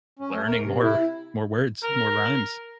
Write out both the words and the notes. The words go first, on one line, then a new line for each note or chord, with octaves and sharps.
learning more more words, more rhymes.
C#4
A3
A#4
C3
E4
A#4